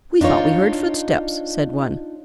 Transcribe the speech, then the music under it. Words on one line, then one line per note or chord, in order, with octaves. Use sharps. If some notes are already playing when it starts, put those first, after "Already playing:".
"We thought we heard footsteps," said one.
D4 D#4 F4 C#5